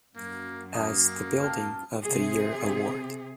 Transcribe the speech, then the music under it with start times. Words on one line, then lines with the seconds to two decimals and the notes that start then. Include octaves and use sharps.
As the Building of the Year Award.
0.16 F#2 A#3
0.74 A#3 D#6
1.42 F5 G5 A5
2.04 C3 G#4